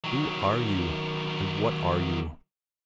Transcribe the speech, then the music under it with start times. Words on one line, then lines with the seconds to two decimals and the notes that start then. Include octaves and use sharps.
Who are you? and what are you?
0.04 D#3 F#3